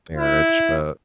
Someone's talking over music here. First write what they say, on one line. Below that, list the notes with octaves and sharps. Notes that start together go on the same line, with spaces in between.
marriage, but
E4